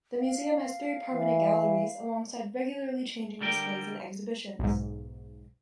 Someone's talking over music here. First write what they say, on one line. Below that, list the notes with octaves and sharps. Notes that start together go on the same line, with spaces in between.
The Museum has three permanent galleries, alongside regularly changing displays and exhibitions.
F5
E3
D3 G3 A#4 G5
B1 G#2